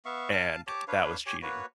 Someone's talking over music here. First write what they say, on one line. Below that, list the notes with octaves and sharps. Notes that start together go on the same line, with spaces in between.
and that was cheating.
B3 E5 F5 C#6
F5 A5
G4 C#5 A5 D6
D4 B4 C#5 F5
G4 C#5 G#5
A#3 F#4 B4 C#5